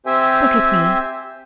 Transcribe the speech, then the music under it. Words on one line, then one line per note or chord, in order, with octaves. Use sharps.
Look at me.
C4 G4 C5 E5 G5 G#5